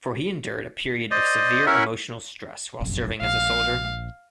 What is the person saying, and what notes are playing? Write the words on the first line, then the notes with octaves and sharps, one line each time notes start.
For he endured a period of severe emotional stress while serving as a soldier.
C5 D5 D#5
C#4 E4 A#4 E5 F#5 B5
F1 A#1 F#2
A#1 F5